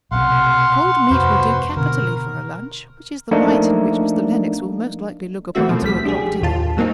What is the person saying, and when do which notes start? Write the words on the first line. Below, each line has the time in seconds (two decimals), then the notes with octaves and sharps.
Cold meat will do capitally for a lunch, which is the light in which Mr. Lennox will most likely look upon a two o'clock dinner.'
0.11 B1 C3 F5 F#5 C6
1.10 F2 G#2 C3 F#4 B4 C5
1.77 B2 D3 A#4
3.31 F3 A3 A#3 D4 D#4
5.55 E3 A3 A#3 C4 F#4 E5
5.69 B2 F3
5.82 C#2 G3 B6
6.05 D4 G4 G#4
6.41 A1 D#2 F4 A5
6.77 G#2 F#3 A#3 C4 D#4